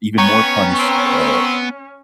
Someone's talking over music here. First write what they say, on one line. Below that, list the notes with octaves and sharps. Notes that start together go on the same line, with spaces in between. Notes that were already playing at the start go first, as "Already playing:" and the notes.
even more punished, uh,
B3 C#4 C#5 G5 A#5 C#6
C4